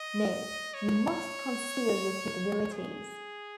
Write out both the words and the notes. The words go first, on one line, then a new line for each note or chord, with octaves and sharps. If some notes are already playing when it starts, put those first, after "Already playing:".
No, you must conceal your capabilities.
Already playing: D#5
C#5
G#4